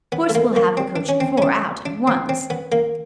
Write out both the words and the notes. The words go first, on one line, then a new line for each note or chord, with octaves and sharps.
Of course we'll have the coach-and-four out, at once.
B3
A3
A#3
A#3
C4
D4
C#4
C4
C#4
D4
D4
C4
C4
B3
A#3